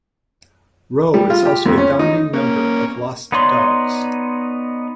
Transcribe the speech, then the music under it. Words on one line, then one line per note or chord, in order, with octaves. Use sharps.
Roe is also a founding member of Lost Dogs.
G3
F4
G4
F2
C#4
D#4
A#3 C#4
B3 D#4 C#5 D5 C6